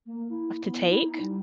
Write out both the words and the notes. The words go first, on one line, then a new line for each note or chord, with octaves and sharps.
to take.
A#3
E4
B3
E4
D#4
G3